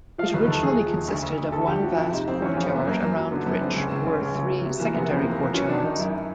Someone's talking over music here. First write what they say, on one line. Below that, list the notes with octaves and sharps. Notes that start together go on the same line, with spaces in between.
It originally consisted of one vast courtyard around which were three secondary courtyards.
F3 F5
D#2 B4
D#2 A4
D#2 G#4
F3
D#2
D2
D2
D2
D2 A4
F#4
D2 G4
F3 F#4
F2 E4
C3 D#4
F2 C4
E3 C#4
C#4
F2
C4
F2 B3
F#2 A#3
F#2
F#3
D3 B3
F#2 B3
D3 C4
C#2
C#2
C#2
C#2
C#2
F#3
C3 B3
E3 A#3
C3 B3
F2 C4
A#3
E3
A#3
F2 B3
F#3 C#4
D#3 D4
D#3 D#4
F#2 E4